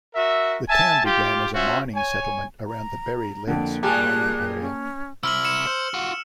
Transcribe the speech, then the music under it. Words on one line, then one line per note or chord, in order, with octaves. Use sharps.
The town began as a mining settlement around the Berry Leads mining area.
F#4 A#4 E5
E5 G#5 A5
F4 G4
C#4 F4 F#4 C5 E5
C#5 G#5
A#5
F2 D3 A#3 G5
A#2 G3 G#3 G4 G#5 A5 F#6
C#4
C3 E4 E6 F6 F#7
C#7 E7
C5
F4 F#4